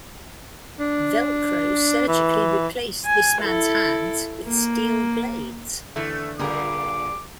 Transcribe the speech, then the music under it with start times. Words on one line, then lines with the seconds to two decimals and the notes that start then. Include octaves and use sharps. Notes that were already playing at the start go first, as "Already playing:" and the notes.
Velcro surgically replaced this man's hands with steel blades.
0.80 D4
2.08 E3
3.06 G#5
3.42 E4 A4
4.46 A#3
5.96 D3 E3 A3 E4
6.39 G2 A#2 D3 G3 G#4 A#4 D6